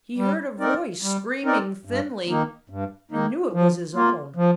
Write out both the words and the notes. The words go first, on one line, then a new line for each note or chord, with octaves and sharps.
He heard a voice screaming thinly, and knew it was his own.
G3
C4 D#4 A#4 D5
G3
C4 D#4 A#4 D5
G2
D#3 A#3 D#4
G2
D#3 A#3 D#4
F3
A#3 F4
F3